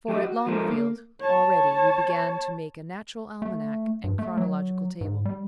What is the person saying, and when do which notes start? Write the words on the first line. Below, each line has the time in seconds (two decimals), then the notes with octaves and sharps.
For, at Longfield, already we began to make a natural almanack and chronological table.
0.08 F#3 G4 C5 D#5
0.22 F#4
0.46 G#2 F3 A3 A#4 C5
0.69 A#3
1.20 C#5 A5
3.42 A3
4.04 G2
4.19 A3
4.37 F#3
5.01 G#2
5.25 G3